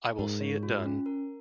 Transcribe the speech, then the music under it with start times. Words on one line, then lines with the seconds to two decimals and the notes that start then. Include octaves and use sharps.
I will see it done.
0.18 G#2 A#4
0.41 C#5
0.63 F4
0.85 C#4
1.06 A#4